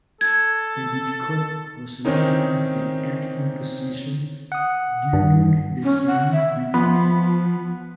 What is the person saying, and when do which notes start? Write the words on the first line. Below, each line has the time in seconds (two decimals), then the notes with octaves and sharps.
David Koh was elected as the acting position during the same meeting.
0.21 A4 G#6
2.05 D#3 E3 C4 C#4 D#4
4.52 F#5 D#6
5.13 G2
5.83 C#4
6.07 F#5
6.32 E5
6.74 F3 B3